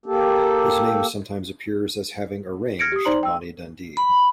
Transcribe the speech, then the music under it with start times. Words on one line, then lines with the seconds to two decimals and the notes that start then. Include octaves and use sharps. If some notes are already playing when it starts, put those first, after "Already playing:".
His name sometimes appears as having "arranged" "Bonnie Dundee".
0.06 A#3 G4 A4
2.79 F6 G#6 A#6 C#7 D7
2.92 G4 D#6
3.05 D#4 C5 D5 A#5 C6 F#7
3.23 G5 E6
3.97 B5